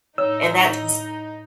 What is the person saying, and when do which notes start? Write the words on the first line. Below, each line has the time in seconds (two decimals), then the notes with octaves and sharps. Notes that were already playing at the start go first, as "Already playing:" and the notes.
And that just
0.18 A2 D#4 C#5 E6